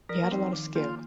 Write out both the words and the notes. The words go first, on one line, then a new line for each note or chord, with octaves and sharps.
He had a lot of skill.
F3 A#4
A#3
C4 D#4
D#3
A#3 F4